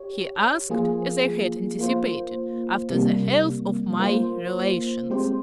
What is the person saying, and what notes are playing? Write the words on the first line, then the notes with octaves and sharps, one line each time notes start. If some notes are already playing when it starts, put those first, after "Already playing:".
He asked, as I had anticipated, after the health of my relations.
Already playing: G4 C#5
F3 A#3 F4 G#4
A#3 F4 C5
C3 G3 A#3
A#3 F4 C5
G#3 C4 G4 C5